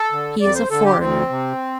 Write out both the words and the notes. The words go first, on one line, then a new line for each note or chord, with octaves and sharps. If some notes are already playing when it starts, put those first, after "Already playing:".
"He is a foreigner."
Already playing: A4
D3
F2 D5
C5
D3 A4
G4
D2 C4
C3